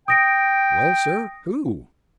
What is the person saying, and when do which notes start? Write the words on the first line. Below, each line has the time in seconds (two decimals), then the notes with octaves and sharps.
"Well, sir, who?"
0.08 G5 D#6 A#6 D7